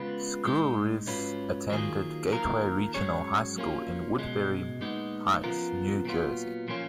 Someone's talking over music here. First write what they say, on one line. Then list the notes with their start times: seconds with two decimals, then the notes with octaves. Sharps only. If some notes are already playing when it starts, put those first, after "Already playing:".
Squyres attended Gateway Regional High School in Woodbury Heights, New Jersey.
Already playing: C#3 G#3 B3 F4 B4
0.45 A#2 G#3 D#4
1.07 G#2 F#3 C#4 F4 B4
1.70 D#3 F#3 A#3 F4 G#4
2.31 D#2 D#3 A#3 F4 A#4
2.94 G#2 F#3 C#4 G#4 C#5
3.56 F#3 A#3 C#4 F4
4.19 C#2 B2 G#3
4.81 A#2 G#3 B3 D#4
5.44 C#3 F3 B3 F4 A#4
6.05 A#2 F#3 B3 F4
6.68 A#2 F3 A#3 C#4 F4